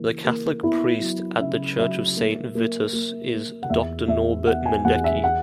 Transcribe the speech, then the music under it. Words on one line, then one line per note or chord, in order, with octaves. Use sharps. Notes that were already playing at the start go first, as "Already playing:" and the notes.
The Catholic priest at the church of Saint Vitus is Doctor Norbert Mendecki.
Already playing: C#3 E3 A#3
A#3
B3 E4
F#3
C#3 E5
F#3 E5
A#3
A#3
A#3
A#3
F#5
E2 E5
E2 E5
B3 F#5
G#5
E2 F#5
E5
F#5